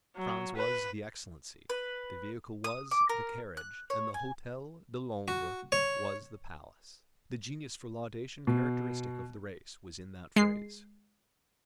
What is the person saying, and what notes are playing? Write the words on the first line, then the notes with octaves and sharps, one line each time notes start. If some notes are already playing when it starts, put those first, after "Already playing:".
Franz was the "excellency," the vehicle was the "carriage," and the Hotel de Londres was the "palace." The genius for laudation characteristic of the race was in that phrase.
F#3
B4
B4
D#6
D6
A#4
F#6
C#5
G#5
F#4
C#5
B2
G#3 C7